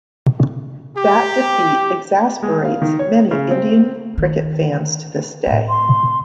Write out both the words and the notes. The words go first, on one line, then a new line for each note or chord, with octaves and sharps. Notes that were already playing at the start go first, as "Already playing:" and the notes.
That defeat exasperates many Indian cricket fans to this day.
G4
G#3
F5
D#3
C#5
C#3
C4
D#3
A2 C4
C6